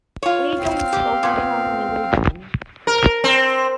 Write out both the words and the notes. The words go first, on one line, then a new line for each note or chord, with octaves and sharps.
We don't focus on religion.
F4 C#5
C4 F5
G4
A#2 B3
A#4
C4